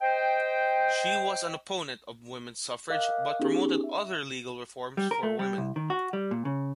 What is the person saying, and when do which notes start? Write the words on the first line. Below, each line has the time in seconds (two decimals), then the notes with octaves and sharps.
She was an opponent of women's suffrage but promoted other legal reforms for women.
0.01 C5 D#5 G5
2.90 A#4 D#5 F5 D6 F#6
3.40 B3 C#4 D#4 G4 G#4
3.84 E5
4.97 G3
5.11 A#4
5.23 A3
5.39 G3
5.58 C2
5.76 D#3
5.90 F#4
6.13 G3
6.31 A#2
6.45 C#3